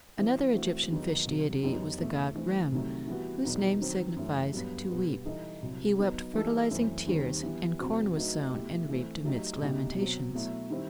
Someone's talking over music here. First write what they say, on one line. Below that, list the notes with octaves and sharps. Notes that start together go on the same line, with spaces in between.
Another Egyptian fish deity was the god Rem, whose name signifies "to weep"; he wept fertilizing tears, and corn was sown and reaped amidst lamentations.
E3 G3 C4 E4 G4
E3 A3 C4 F#4
E2 D#3 F#3 B3 D#4
C2 C3 F#3
F#2 E3 B3 D#4 G4
E2 B2 A3
E3 A3 C4
C2 C3 D#3 F#3 A3
E3 G3 B3 F#4
E2 B2 F#3 B3 D#4
D#3 F#3 C4
F#2 E3 A3
G2 F#3 B3
B2 G3 B3
E3 G3 D#4 A4 D#5
C2 C3 F#3
F#3 B3 D#4
E3 G3 D#4 A4
F#2 E3 A3 C4
D#2 D#3 G3 C4
E3 G3 B3
E2 C3 F#3 C4 F#4
F#3 A3 D#4 F#4 B4
B2 A3 E4 G4
E3 A3 C4
F#3 A3 D#4 G4
C2 B2 A3 D#4 G4
B2 F#3 C4
B2 F#3 A3 E4
D#3 G3 C4 E4